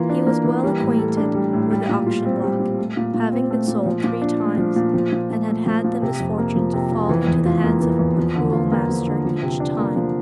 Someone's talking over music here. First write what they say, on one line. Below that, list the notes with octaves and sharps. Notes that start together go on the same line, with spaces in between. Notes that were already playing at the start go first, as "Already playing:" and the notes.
He was well acquainted with the auction block--having been sold three times, and had had the misfortune to fall into the hands of a cruel master each time.
Already playing: E3 A#3 F4
D4
A#3
E3
G3
A2
A4
D4
G3
A2
G3
A#2
F4
C4
G3
A#2
A3
A#2
A#2
C4
A3
A#2
F3
A#2
D4
A3
F3
A#2
F3
A#2
A#2
A3
F3
A#2
C3
F2
A#3
F3
C3
F2
E3
E2
F4
A#3
E3
E2
F3
D3
F4
A#3
F3
D3
F3
C3
D4
A#3
F3